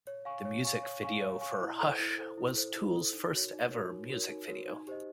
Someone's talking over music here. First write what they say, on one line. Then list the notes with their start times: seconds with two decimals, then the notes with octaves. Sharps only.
The music video for "Hush" was Tool's first ever music video.
0.07 C#5
0.25 F5 G#5 C#6
0.45 C#5
0.65 F5 G#5 C#6
0.83 C#5
1.03 F5 G#5 C#6
1.22 C#5
1.41 F5 G#5 C#6
1.61 E4
1.80 A4 C5
1.99 E4
2.19 A4 C5
2.38 E4
2.57 A4 C5
2.76 E4
2.96 A4 C5
3.14 D#4
3.33 F#4 A#4 C#5
3.53 D#4
3.71 F#4 A#4 C#5
3.91 D#4
4.10 F#4 A#4 C#5
4.29 D#4
4.48 F#4 A#4 C#5
4.68 D#4
4.87 G4 C5 D#5